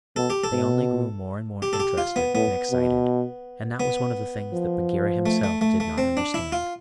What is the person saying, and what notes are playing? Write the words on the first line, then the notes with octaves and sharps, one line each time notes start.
They only grew more and more interested and excited; and that was one of the things that Bagheera himself did not understand.
B2 A4
G4
A4
B2
G4
A4
G4
F4
B3
A2 B3
B2
B3
F3
A3
A3
A3
A3
C4
D4
E4
F4